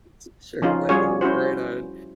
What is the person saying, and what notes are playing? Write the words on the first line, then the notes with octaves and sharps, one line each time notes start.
T-shirt weather, right on.
F3 C#4 D#4 F4
G3 C#4 F4 F#4 G#4 C#5
C#4 E4 F#4 C5